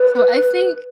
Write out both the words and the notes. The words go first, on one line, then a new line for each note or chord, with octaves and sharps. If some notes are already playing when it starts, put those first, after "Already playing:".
so I think
Already playing: B4